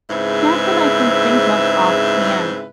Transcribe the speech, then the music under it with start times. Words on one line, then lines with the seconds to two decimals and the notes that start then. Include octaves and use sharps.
Not that I can think of offhand,
0.10 G#2 C#3 C4 E4 B4 E5